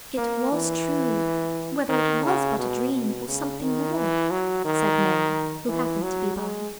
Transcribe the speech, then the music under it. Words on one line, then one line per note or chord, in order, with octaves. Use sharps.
"It was true, whether it was but a dream or something more," said Mary, who happened to be by.
A#3
E3
D#3
C#3
B2
B2
C#3
D#3
E3
F#3
D#3
E3
F#3
G#3